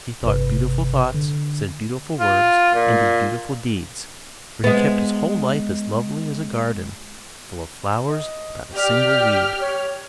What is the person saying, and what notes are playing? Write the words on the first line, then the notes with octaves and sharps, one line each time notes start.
He thought beautiful thoughts, said beautiful words, and did beautiful deeds, for he kept his whole life as lovely as a garden full of flowers without a single weed.
G1 G2 C3 B4
D3
F4
A#2
G#3 B3
D#5
G4 D5 F6
C#5